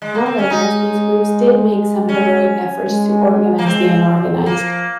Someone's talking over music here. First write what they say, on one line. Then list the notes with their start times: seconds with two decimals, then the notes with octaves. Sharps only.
Nonetheless these groups did make some heroic efforts to organize the unorganized.
0.02 G#3
0.15 A#3
0.26 C4
0.38 C#4
0.50 G#3 D#4
2.09 C#4
2.88 G#3
3.58 A#3
3.66 G#3 C4
4.06 F#3
4.46 F3 A#3